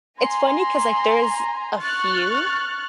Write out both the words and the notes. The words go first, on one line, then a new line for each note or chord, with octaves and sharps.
it's funny 'cause, like, there's a few,
G#5 A#5 C6
C#6 F6 F#6 A6